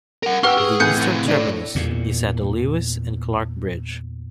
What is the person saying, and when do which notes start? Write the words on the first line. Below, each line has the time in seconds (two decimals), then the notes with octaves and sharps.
The eastern terminus is at the Lewis and Clark Bridge.
0.23 A#4 F#5
0.43 G4 B4 F#5 G5 C#6 E6 F6
0.57 G#4
0.80 A2 E3 F#6 G6 C#7
0.97 C3 A4
1.28 A2 D4 A4
1.75 E2 A#2